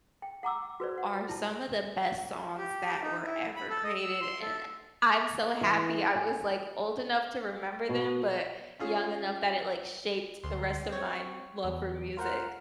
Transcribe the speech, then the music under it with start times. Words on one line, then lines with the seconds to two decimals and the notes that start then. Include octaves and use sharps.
are some of the best songs that were ever created, and I'm so happy I was, like, old enough to remember them, but young enough that it, like, shaped the rest of my m love for music.
0.22 G5
0.43 F#5 A#5 D6 E6
0.80 F#4 B4 C5 D5
0.98 F#5
1.29 E4 A5
2.58 G4
2.85 G4
3.03 D#4
3.24 E4
3.56 B5
3.70 A4
3.84 D#5
3.99 E6
4.22 C6
4.41 A4
5.61 E3
6.16 G#5
7.89 B2
8.79 C#4 F4 G#4
10.44 D2 C6
10.89 C4 C#5
11.64 E2
12.17 F4 A#4 C5 F#5